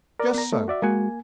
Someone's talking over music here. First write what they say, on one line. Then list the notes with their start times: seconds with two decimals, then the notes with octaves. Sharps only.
"Just so."
0.20 A#4 D5
0.34 B3 A#5
0.53 A3
0.68 F#4 D5 E5
0.82 G#3 A#3 F#4 G#5